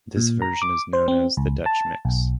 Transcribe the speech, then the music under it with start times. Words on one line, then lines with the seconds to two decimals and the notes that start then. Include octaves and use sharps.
This version is known as the 'Dutch Mix.
0.16 A#2
0.42 A#5
0.62 D6
0.93 C5
1.08 C4
1.37 C#2
1.66 A5
2.05 B1